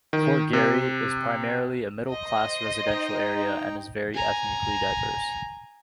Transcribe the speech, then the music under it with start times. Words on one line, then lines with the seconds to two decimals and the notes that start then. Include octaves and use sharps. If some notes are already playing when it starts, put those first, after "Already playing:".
Fort Garry is primarily a middle class residential area and is very ethnically diverse.
0.13 D#3
0.53 C3
2.07 C5 D#5
2.87 D#4 G5 A#5
4.14 G#5 A#5